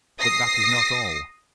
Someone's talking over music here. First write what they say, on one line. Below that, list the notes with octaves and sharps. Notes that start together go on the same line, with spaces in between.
But that is not all.
D#6 A#6 C7